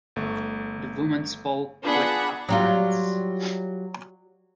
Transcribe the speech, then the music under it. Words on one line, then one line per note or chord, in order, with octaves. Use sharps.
The woman spoke with abhorrence.
G1 A3 C#6
B3 D4 F4 G#4 F#5 B5
F#3 G3 F4